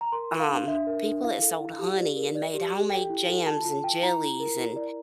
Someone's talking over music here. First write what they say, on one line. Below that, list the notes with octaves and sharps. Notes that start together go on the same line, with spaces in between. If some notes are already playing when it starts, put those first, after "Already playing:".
um, people that sold honey and made homemade jams and jellies and
A#5
A#4 C6
F4
F5
D4
D4 E5
A#4
D4
E4 F5
A4
E4
G4
D5
A#4
D5
G4
G4
A4 G5
E4
A4
F4 A5
F4 A5
F4 G5
E4 A#5
E4
A#4
E4
D5